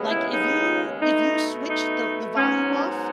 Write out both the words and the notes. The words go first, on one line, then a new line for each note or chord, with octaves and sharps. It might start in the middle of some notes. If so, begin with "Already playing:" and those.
like, if you if you switched the the volume off
Already playing: D#2 C#3 G#3 B3
E4
D#4
B2 A3 D#4
D#4
G#2 F#3 B3 C#4